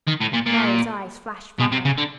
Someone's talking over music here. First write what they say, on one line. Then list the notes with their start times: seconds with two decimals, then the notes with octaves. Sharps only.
Mary's eyes flashed fire.
0.08 D#3
0.21 A2
0.34 A#2
0.46 A#2
1.60 B2
1.72 C3
1.85 C#3
1.98 D3